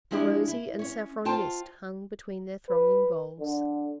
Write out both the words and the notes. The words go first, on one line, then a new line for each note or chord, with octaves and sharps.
A rosy and saffron mist hung between their thronging boles.
F3 G#3 D4 E4 G4
E4
C#4 C#5
F4 C5 G5 A5
B4
D3